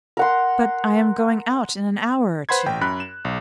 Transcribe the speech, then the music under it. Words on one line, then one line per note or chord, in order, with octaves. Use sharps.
But I am going out in an hour or two.'
A#4 F#5 C6
B4 C5 F#5 B5 C6 G#6
A1 G5
F#2 B5 F#6
E7
B1